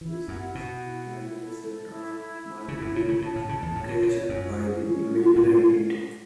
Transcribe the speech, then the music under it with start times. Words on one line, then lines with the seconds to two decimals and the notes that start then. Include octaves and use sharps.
This is reminiscent of multiplication by the imaginary unit.
0.01 E3 E4
0.28 F#2 F#5
0.54 B2 F#5
0.82 E4
1.08 E4
1.35 A4
1.62 A4
1.88 E4
2.15 E4
2.42 E4
2.68 C#3 E4
2.81 F#2
2.95 B2 C#5
3.08 C#3
3.22 B2 A5
3.36 A2
3.49 C#3 A5
3.63 E2
3.75 A2 C#5
3.89 B2
4.02 B2 C#5
4.29 F#2 C#4
4.56 C#4
4.83 C#4
5.09 F#4
5.36 A2 C#4